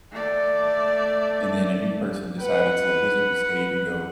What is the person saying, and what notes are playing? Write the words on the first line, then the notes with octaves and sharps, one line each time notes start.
and then a new person decided to visit this cave and go,
A3 D5
B4 F#5